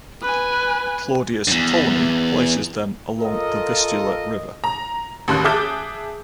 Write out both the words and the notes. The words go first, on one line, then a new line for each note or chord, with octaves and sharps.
Claudius Ptolemy places them along the Vistula river.
B4 G#5
E2 G2
F4 A4 A#4 D#5
A#5
A1 D#2 C6 F#6
G#4 E5 A5 D6 D#6 G6